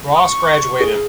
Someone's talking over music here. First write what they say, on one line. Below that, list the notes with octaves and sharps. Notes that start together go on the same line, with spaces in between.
Ross graduated.
D#6
C#6
G#4